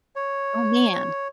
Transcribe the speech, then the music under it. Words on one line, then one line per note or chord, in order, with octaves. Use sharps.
Oh, man.
C#5